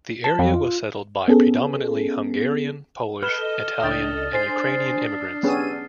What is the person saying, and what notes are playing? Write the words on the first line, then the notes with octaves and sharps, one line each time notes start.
The area was settled by predominantly Hungarian, Polish, Italian and Ukrainian immigrants.
A5
F2
F4
B3 C#4 G#4 A4
A4 B4 D#5 F6 E7 G7
C#2 D4 G5 D#6 A6
D4 C5 G#5 A6 C7
B3 C#4 G4 G#4 E6 D#7